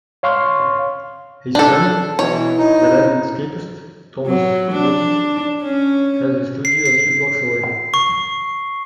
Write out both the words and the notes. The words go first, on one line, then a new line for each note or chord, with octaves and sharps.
His friend, the landscapist Thomas Doughty had his studio a few blocks away.
C#5 F5 C6 C#6 F6
D4 A4
B2 E3 C#5
E4
D#4
F#3
D4
C#4
C7
C7
C#6